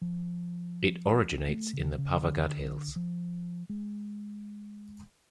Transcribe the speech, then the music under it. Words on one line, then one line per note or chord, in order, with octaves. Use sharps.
It originates in the Pavagadh Hills.
F3
A3
C#3
C#3
D3
F3
G#3